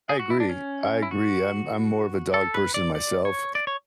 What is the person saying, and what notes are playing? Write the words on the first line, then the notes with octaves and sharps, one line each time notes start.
I agree, I agree. I'm I'm more of a dog person myself,
G#4
F#4
E4
D4
C#4
E4
F#4
A4
B4
D5
D5
C#5
D5
C#5